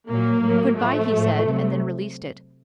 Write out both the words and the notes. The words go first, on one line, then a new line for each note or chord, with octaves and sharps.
"Good-bye," he said, and then released it.
A#2 F#3 A#3
A2 F#3
A2 F3 A3
A2 F3
C3 F#3